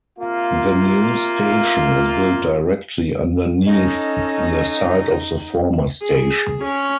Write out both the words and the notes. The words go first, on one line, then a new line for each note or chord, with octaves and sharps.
The new station is built directly underneath the site of the former station.
C3 A#3 F4
C#4 D#4 A4 D#5
G#4
C#4